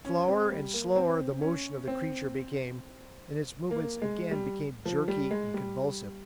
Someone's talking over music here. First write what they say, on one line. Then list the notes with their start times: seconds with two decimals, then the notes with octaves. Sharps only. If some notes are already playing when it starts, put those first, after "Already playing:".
Slower and slower the motion of the creature became, and its movements again became jerky and convulsive.
0.05 C#4
0.28 C4
0.51 G3
0.74 A#3
0.96 C4
1.42 C#4
1.87 C4
3.71 A#3
4.02 G#3
4.31 G3
4.86 F3
5.08 G3
5.31 G#3
5.54 G3